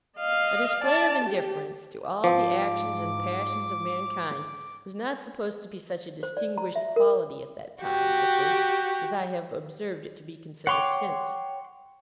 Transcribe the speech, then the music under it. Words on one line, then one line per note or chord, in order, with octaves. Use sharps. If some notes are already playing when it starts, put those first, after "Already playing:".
A display of indifference to all the actions and passions of mankind was not supposed to be such a distinguished quality at that time, I think, as I have observed it to be considered since.
D#5 F5
D5 A5
G4
G#2 F3 D6
C5
D5
A#5
E5
A#4
F#4 G4
C#5 F#5 G5 C6 D6